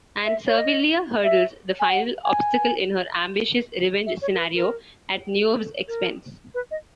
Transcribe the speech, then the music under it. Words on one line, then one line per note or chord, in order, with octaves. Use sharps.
And Servilia hurdles the final obstacle in her ambitious revenge scenario, at Niobe's expense.
E5
C#5
D#5
E5
G#5
F#5
G#5
E5
C#5
A#4
B4
A#4
A#4
B4
D#5